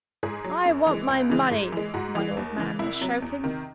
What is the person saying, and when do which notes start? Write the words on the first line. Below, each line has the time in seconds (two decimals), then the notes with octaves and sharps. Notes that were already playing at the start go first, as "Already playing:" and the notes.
"I want my money!" one old man was shouting.
0.23 G#2 G#4
0.44 F#3
0.66 F#2
0.86 E3 G#3
1.08 C#2
1.30 C#3 E3 G#3
1.51 G#2
1.72 E3 G#3
1.94 G#2 F#4
2.15 E3 G#3
2.37 D#2
2.58 C#3 E3
2.79 C2 E4
3.01 C3 F#3
3.22 E2
3.43 C3 D#3